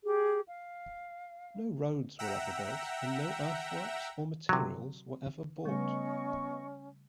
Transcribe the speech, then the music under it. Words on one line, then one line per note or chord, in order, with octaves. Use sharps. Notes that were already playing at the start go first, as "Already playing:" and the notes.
No roads were ever built, and no earthworks or materials were ever bought.
G4 G#4
F5
E5 F#5 G5 A#5 E6
C3 F#3
C#3 G3 A3 B3 C#4 D#5 C#6